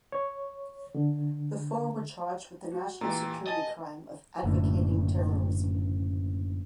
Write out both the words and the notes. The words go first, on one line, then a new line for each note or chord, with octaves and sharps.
The four were charged with the national security crime of "advocating terrorism".
C#5
D3
F#4
A#2 E3 G4 A#5
D#5 G#5 A5 A6
F#1 F#2 A2 D3